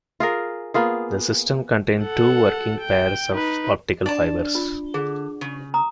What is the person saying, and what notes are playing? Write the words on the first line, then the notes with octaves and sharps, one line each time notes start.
The system contained two working pairs of optical fibers.
F4 G#4 A#4
A#3 B3 F4 G#4
A4 F#5
G5
D#4 B4
D4 D5 A5
F4
D3 G#4
C#3
A#5 D#6